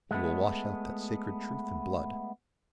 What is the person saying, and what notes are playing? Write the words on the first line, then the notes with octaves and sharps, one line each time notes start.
He will wash out that sacred truth in blood.
G#3 A3 B3